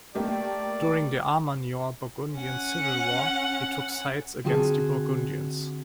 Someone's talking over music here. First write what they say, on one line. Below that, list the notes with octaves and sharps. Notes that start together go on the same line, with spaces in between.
During the Armagnac-Burgundian Civil War he took sides against the Burgundians.
A3 A#3 G4 D5
C#4 F#5
D3 C4 F4 F#4 G#4 A5